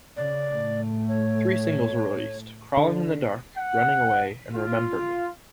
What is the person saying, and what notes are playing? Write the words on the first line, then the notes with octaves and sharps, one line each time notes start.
Three singles were released, "Crawling in the Dark", "Running Away", and "Remember Me".
C#3 D5
A2 A3
C#5
D3
F#5
F4